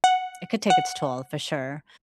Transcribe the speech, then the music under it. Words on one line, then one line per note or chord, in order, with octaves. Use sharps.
it could take its toll for sure.
F#5
F#5